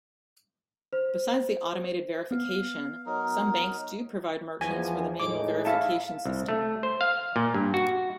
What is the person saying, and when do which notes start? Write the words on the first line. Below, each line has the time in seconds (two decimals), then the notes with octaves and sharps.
Besides the automated verification, some banks do provide merchants with a manual verification system.
0.93 C5
2.31 B3 F5
3.06 F#3 D#4 A#4
4.61 E2 F3 G#5
5.20 A2 G#3 D#4 D6
5.65 E4 E5 F5 A5
6.25 C2
6.49 A3
6.83 C5
7.01 F5
7.36 A#2
7.54 G2
7.74 F#4